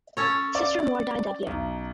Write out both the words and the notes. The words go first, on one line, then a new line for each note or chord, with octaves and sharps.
Sister More died that year.
C#4 A4 C#5
D5
B1